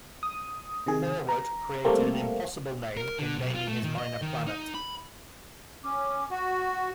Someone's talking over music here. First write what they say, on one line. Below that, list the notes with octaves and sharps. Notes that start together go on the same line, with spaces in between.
Forward created an impossible name in naming his minor planet.
D#6
C3 D#3 G#4
A#5
G3 A3 A#3 C4
A#4
D3
B1
F4
A3
D#3
D#5
D#3
D#4
B5
C#4 D6
F#4 F#5